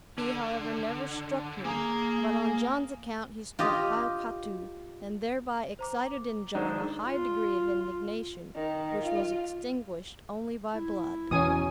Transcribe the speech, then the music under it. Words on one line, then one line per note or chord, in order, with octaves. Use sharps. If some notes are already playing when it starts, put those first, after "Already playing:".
He, however, never struck me; but on John's account he struck Hiokatoo, and thereby excited in John a high degree of indignation, which was extinguished only by blood.
D3
A#3 G#4 A#5
F4 G4 D#5
C5 A#5 D6
D#3 G#3 D4 C5 D5 A#5
F4
D#3
F4
E4
E2 B2 C#4 G#5 D#6